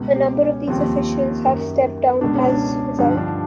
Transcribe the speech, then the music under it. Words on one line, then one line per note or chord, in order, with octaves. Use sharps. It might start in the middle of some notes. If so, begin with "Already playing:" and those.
A number of these officials have stepped down as result.
Already playing: C#2 B2
G4
C#4
D#2 C#3 F3 C4
F#2 D#3
C#2 B2 D4
C#4
D4
G2 D3 F3 D#4
D4